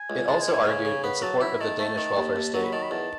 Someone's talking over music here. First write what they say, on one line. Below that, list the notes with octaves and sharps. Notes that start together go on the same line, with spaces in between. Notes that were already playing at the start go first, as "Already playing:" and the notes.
It also argued in support of the Danish welfare state.
Already playing: G#5
C#2
G#3 A5
G#5
E3
G#5
C#3 G#5
C#3
B3 B5
F#3 A5
E4 B5
D#3 A5
A3 A5
D#3
D#2 A5
D#2
F#3 A5
B5
D#3 A5
B5
E2 A5